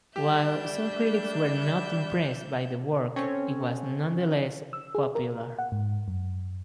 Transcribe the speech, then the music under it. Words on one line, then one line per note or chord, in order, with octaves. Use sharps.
While some critics were not impressed by the work, it was nonetheless popular.
G3 D4 G4 E5 G6
C4 C#4 A4 C#5
E6
G#4
A#4
F#5
G#2
F#2